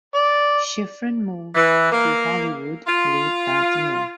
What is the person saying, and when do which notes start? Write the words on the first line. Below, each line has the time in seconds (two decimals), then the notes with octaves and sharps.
Schifrin moved to Hollywood late that year.
0.15 D5
1.55 E3
1.92 A#3
2.87 F4